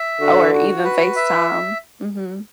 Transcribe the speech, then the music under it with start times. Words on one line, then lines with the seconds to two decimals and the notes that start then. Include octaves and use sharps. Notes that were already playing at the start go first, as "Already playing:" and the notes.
or even FaceTime. Mhm.
Already playing: E5
0.21 D3 F#4
0.53 F#4
0.84 B4
1.16 E5